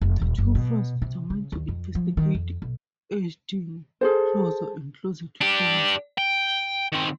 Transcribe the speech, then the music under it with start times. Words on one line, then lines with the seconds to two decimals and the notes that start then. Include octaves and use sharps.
The two friends determine to investigate, edging closer and closer to danger.
0.01 F1
0.21 D#1
0.38 F#1
0.55 B2
1.02 C3
1.30 C#3
1.52 D#2
1.68 F2
1.95 F3
2.17 D#3
2.34 F2
2.62 B1
4.01 G#4 A4 C5
5.41 D4 G4
6.18 G5
6.92 D#3 C4